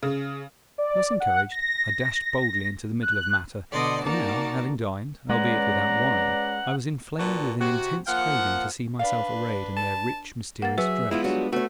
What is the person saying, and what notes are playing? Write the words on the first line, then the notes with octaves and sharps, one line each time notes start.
Thus encouraged, I dashed boldly into the middle of matter; for now, having dined, albeit without wine, I was inflamed with an intense craving to see myself arrayed in their rich, mysterious dress.
C#3
D5
F#5
A#6
F#6
B2 D3 A4 D5 D#5 C6
A#3 D#4 F#4 A#4 D5 A5
G#3 C#4 B4 D5 F#5 A#5
A#2 D4 F#4 B4 A5
C3 F#4
F3 A#3 F5 F#5
D4 B4 D5 F5
A5
A#3 F#5 A6
F#3 G#4 B4 E5
G#3 B3 E4 F4
F#3 G3 D4 F#4
A3 B3 F#4 C#5